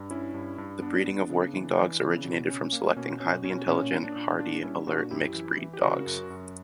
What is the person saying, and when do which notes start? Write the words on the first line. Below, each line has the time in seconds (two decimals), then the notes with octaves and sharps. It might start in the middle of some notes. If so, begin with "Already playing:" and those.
The breeding of working dogs originated from selecting highly intelligent, hardy, alert mixed-breed dogs.
Already playing: G2
0.11 C#4 E4
0.34 G2
0.58 G2
0.82 B3 D4
1.05 B3
1.30 C#3
1.54 E3
1.78 E3
2.01 C#3
2.26 B2
2.49 C#4
2.72 A#3
2.96 B2 C#4
3.20 B2 C#4
3.44 B2 C#4
3.68 A#2 C#4
3.92 A#2
4.04 D4
4.16 A#2
4.39 A#2 D4
4.63 G3 C#4 E4
4.87 A#2 D4 F#4
5.11 F#2 E4 G4
5.35 E3
5.58 E3
5.73 G4
5.82 C#3 F#4 A#4
6.06 F#2
6.30 F#2